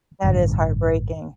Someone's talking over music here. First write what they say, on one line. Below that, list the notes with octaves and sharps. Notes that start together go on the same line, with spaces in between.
That is heartbreaking.
A1 G2 D3